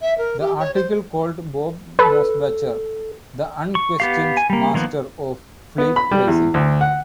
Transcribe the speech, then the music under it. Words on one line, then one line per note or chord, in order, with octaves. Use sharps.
The article called Bob Mosbacher "the unquestioned master of fleet racing".
E5
A#4
G4
C#5
C5
A4 B4
C#6
B3 G4 F5
G#5
G3 A#3
D#3 F3 A#3 B3
B3
B5
G3
E2
D2
F#5